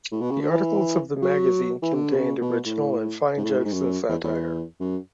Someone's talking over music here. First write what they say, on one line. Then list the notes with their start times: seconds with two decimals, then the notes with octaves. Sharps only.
The articles of the magazine contained original and fine jokes and satire.
0.11 A2
0.21 B2
0.31 C#3
0.40 D3
0.50 E3
1.22 F#3
1.82 E3
1.93 D3
2.12 B2
2.17 C#3
2.41 B2
2.66 A2
3.37 G#2
3.44 A2
3.51 G#2
3.58 A2
3.65 G#2
3.73 F#2
4.09 E2
4.24 E2
4.80 F#2